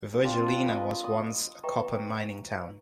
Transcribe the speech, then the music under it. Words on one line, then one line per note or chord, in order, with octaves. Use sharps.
Virgilina was once a copper mining town.
C4 D4 F4
B4 D#5
D#6
B4 D#5 E5 G5 A#5 C#6